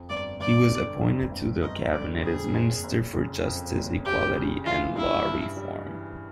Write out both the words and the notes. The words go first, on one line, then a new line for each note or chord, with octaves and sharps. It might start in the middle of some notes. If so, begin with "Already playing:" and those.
He was appointed to the cabinet as Minister for Justice, Equality and Law Reform.
Already playing: F2
G1 D5
G1 D5
D3
F2
G1
G1 D#5
D3 D5
F2 G#4
F#1
F#1
C#3
F2
F#1
F#1 G4
C#3
E3 F4
G2 E4
G2
G3
E3